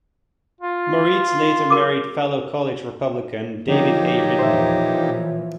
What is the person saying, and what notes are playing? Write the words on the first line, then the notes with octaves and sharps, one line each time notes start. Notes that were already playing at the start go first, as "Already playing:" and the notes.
Moritz later married fellow College Republican David A. Ridenour.
F4
F#4 A#4 D6
D3 F3 A#3 D#4 G4 C#5
A#2 E3 F3 C5 E5